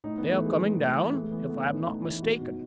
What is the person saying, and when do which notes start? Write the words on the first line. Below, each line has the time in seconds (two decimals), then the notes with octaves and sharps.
"They are coming down, if I am not mistaken."
0.04 A2 D#4
0.18 E3 B3
0.31 A3
0.40 E3
0.45 G#3
0.59 A2
0.76 A2
0.95 E3
1.13 A2 A3
1.24 A3
1.31 E3 B3
1.45 A3
1.49 E3 B3
1.68 A2 C#4
1.86 A2 D#4
2.04 E3 E4
2.23 B2 F#4
2.41 B2 D#4